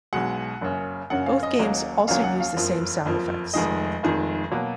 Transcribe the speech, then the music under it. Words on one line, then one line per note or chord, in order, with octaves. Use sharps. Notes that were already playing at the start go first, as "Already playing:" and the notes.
Both games also use the same sound effects.
B1 B2 G#3 F#5
F#1 F#2 C#3
F#1 F#2 C#3 F#5
F5
D#5
D#2 C#3 F#3 A#3
D#2 C#3 F#3 A#3 F5
F#5
F5
F#1 F2 F3
F#1 F2 F3
F1 F2 D#3 G#3 D#5
F1 F2 D#3 G#3
B2 F#3 A#3